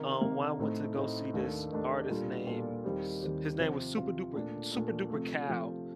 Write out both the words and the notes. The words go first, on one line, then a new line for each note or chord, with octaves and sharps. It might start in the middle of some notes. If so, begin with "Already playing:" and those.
Um, when I went to go see this artist named S his name was Super Duper Super Duper Cal
Already playing: C3 D#3 A#3
C3 D#3 A#3
A2 A3 C4 D#4
A2 A3 C4 D#4
D#2 D#3 A3 D4
D#2 D#3 A3 D4
A#2 G3 D4 F4 A4
A#2 G3 D4 F4 A4
D#2 D#3 G3 C4 G4
D#2 D#3 G3 C4 G4
C3 F3 C4 F4 C5
C3 F3 C4 F4 C5
A#2 A3 D4
A#2 A3 D4
C3 F3 A3
C3 F3 A3